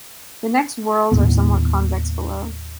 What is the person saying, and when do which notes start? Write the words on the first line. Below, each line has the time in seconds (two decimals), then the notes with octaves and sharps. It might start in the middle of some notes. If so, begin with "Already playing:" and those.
The next whorls are somewhat convex below.
1.12 D#2 A2 B3